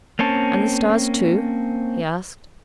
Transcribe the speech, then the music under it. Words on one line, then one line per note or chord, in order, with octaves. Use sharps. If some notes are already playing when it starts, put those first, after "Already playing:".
"And the stars, too?" he asked.
A#3 C4 C#4 A5